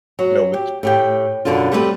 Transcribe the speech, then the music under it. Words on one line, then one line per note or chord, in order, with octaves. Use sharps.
you know, with,
F#3
G4
A2 G4 G5
F#2 B2 D3 D4 F4
G3 A3 C4 F#4 B4